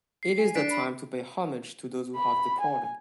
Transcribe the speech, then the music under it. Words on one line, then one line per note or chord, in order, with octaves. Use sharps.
It is the time to pay homage to those who have departed.
C7
G#5
D4 B6 D7
B5
B5
G#5